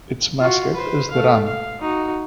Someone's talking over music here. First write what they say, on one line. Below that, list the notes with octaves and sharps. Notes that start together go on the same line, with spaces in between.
Its mascot is the ram.
F4 F#4
B4 C5
A3 F5
F5
D#4 F#4